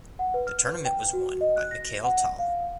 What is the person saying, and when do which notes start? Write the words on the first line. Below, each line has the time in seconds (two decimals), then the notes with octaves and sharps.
The tournament was won by Mikhail Tal.
0.19 F#5
0.34 B4
0.47 F6
0.65 B4
0.85 G5
1.13 F#4
1.41 D#5
1.56 F#6
1.71 A#6
2.04 F#5
2.39 F5